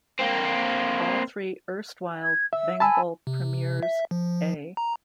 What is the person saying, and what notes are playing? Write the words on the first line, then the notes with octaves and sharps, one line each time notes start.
All three erstwhile Bengal premiers-A.
A#3 C4
G#6
E5 E6
G#5 A5 B5 E6
C3
E5
F3
A#5